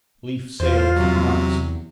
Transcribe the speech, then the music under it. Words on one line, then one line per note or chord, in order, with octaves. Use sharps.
Leif sailed for months.
E2 F4 C5
C3 F#3